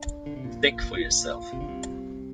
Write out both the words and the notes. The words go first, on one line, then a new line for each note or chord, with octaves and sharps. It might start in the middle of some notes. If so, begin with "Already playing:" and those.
Think for yourself.
Already playing: D4
D3
C3
A#1 A#2 F4
F4
C3
D3
C2 C3